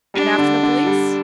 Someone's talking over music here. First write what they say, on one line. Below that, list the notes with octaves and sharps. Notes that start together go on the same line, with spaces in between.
And after the police?
G3 D4
D3
D3
G3